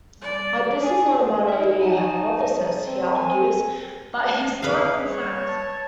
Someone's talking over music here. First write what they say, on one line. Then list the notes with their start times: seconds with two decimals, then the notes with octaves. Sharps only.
But this is not a matter of mere hypothesis, he argues, but historical fact.
0.21 D5
0.81 G#4
1.49 D#4 E5
1.82 D#4 G#5 A5
2.85 C4
3.16 G#5
4.62 G#4 B4 F5
5.09 G3 C#5
5.48 A5